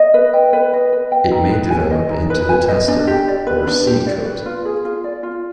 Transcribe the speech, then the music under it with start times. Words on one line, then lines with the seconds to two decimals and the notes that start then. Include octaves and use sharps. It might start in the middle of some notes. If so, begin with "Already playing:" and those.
It may develop into the testa, or seed coat.
Already playing: D#5
0.14 B4
0.33 G5
0.53 B4
0.74 D#5
0.93 B4
1.12 G5
1.31 D#4
1.51 B4
1.70 G#5
1.91 D#5
2.10 D#4
2.30 B4
2.49 G#5
2.68 D#5
2.88 D4
3.07 G4
3.28 D5
3.47 B4
3.67 D4
3.87 G4
4.07 D5
4.25 B4
4.46 F4
4.65 G#4
4.85 F4
5.04 D5
5.23 F4